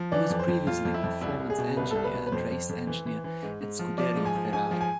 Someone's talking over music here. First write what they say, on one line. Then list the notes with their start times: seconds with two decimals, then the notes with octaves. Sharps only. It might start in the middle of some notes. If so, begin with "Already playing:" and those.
He was previously Performance Engineer and Race Engineer at Scuderia Ferrari.
Already playing: F3
0.12 E3 D5
0.30 F2
0.39 C5
0.48 F2
0.67 F2 F4
0.85 F2
0.94 E4
1.04 F2
1.21 C2 E4
1.40 C2
1.50 G#4
1.58 B2
1.77 C2 B4
1.91 C2 A4
2.04 B4
2.14 B2
2.27 B4
2.32 F2 C5
2.50 F2
2.69 F2
2.87 E3
3.06 E3
3.24 E3
3.43 G#2
3.60 G#2
3.79 F3
3.98 F3 D5
4.16 G#2
4.25 G#5
4.35 F3
4.53 G#2 G#5
4.71 F3
4.81 G#5